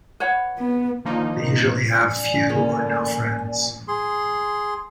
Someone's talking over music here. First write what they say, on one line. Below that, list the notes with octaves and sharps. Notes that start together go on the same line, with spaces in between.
They usually have few or no friends.
B4 C#5 F#5
B3
D3 D#3 F3 A#3 D#4
D5 G#5
D3 A#3 C#4
G#4 C6